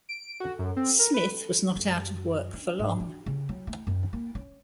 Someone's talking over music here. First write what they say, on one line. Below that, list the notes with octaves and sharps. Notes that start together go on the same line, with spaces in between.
Smith was not out of work for long.
D7
F#4
F#2
C4
A#4
B4
F#2
C#4
G#2
D4
C#3
F#3
A3
F#2
A#3
C#4